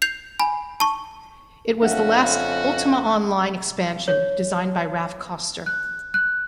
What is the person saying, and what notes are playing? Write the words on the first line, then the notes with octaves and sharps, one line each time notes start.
It was the last "Ultima Online" expansion designed by Raph Koster.
G6 C7 F7
G#5 B5
A5 C#6
F2 C#3 D4 F#4 E5 F#5
C#5
F#6
F#6